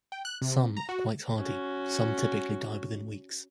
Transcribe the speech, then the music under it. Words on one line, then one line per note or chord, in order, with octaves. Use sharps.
Some are quite hardy, some typically die within weeks.
G5
F#6
C3
A#5
F#4
C#4 F#4